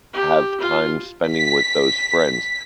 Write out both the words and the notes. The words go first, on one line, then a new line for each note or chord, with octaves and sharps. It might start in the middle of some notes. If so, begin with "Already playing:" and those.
have time spending with those friends.
G4
F4
B6